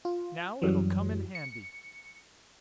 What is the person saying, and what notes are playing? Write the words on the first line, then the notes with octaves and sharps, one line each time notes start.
Now it'll come in handy.
F4
F#2 E3 F#3 G3
C#7